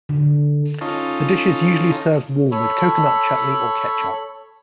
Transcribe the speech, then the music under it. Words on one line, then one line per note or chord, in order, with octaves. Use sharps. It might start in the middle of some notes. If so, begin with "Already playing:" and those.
The dish is usually served warm with coconut chutney or ketchup.
D3
C#4 D#4 F4 A4
A4 C#5 B5